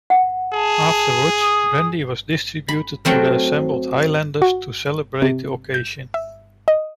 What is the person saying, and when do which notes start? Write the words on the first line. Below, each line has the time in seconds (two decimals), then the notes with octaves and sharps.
Afterwards brandy was distributed to the assembled highlanders to celebrate the occasion.
0.10 F#5
0.54 G#4 A5
1.40 D#6
2.68 B5
3.05 F#3 A3 C4 A#4
4.42 F#4
5.22 C3
5.74 G6
6.14 E5
6.68 D#5